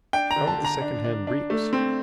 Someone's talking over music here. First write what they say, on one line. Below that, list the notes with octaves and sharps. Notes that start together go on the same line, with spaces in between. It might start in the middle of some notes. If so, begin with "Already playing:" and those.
How are the secondhand breeks?
D4 G5
A#5
D3
A5
D3
A#5
D4
D4
D4
A3
C4